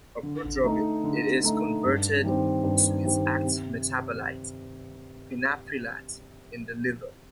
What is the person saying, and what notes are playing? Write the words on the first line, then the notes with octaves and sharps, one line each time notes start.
A prodrug, it is converted to its active metabolite, quinaprilat, in the liver.
D3
A3 D#4
D3
A3 D#4
G2
D#3 G3 C4
G2
D#3 G3 C4
C3